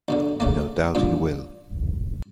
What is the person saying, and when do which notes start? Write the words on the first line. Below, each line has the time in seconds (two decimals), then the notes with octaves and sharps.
And no doubt he will.
0.08 D2 B2 D3
0.40 C#3 A3 A#3
0.95 A1 G2 A#2